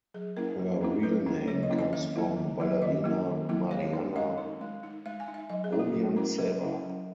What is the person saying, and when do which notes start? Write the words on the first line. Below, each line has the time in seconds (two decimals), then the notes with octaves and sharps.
Her real name comes from ballerina Marianna Rumjantseva.
0.14 F#3 G#4
0.37 A#3 C#4 E4 A#4
0.59 F#3
0.81 A#3 C#4 E4
1.03 F#3 B4
1.26 A#3 C#4 E4
1.48 F#3 C#5
1.63 D#5
1.70 A#3 C#4 E4
1.79 D#5
1.93 D#3 E5
2.16 F#3 A#3 E4
2.37 D#3
2.60 F#3 A#3 E4
2.82 D#3 D#5
3.04 F#3 A#3 E4
3.27 D#3
3.49 F#3 A#3 E4
3.71 G#3 C#5
3.93 D#4
4.16 G#3 D#5
4.38 D#4
4.61 G#3
4.83 D#4
5.06 G#3 E5
5.20 G#5
5.28 D#4
5.34 E5
5.50 F#3 D#5
5.64 G#4
5.72 C#4 E4
5.79 F#4
5.94 F#3
6.16 C#4 E4 A#4
6.38 F#3 A#4
6.61 C#4 E4
6.83 F#3